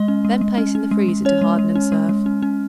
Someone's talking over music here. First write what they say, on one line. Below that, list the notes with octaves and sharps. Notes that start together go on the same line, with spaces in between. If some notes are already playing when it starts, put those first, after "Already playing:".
Then place in the freezer to harden and serve.
Already playing: G#3 D#5
C#4
G#3
G#3
C#4
C#4
G#3
G#3
C#4 C#5
G#3
G#3
C#4
G#3
G#3
C#4
C#4